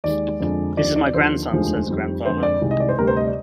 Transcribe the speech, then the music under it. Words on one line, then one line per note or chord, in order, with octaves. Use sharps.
"This is my grandson," says Grandfather.
D#2 D#3 G#3 D5
F2 D3 F3 G#3
D#2 D3 F3 D5
D5
D#2 D3 F3 C5
F1 D#2 D3 F3 G#3
F2 D#3 G3
F2 D3 F3 G#3 C5
D5
C2 C3 D#3 G#3
D#5
D5
C5
D2 C3 G3 A#4
C5
D#5
D5